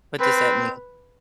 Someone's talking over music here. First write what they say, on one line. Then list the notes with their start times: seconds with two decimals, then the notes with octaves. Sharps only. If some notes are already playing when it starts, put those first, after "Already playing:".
What does that mean?
0.21 C4 B4